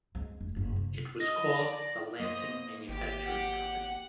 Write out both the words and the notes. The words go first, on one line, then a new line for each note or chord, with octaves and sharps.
It was called the Lansing Manufacturing Company.
G#3 C4
F1
F#1 G#2
C3
D#5 A#6
D5
A#3 B3 C5 D#5
G#1 G4
F#5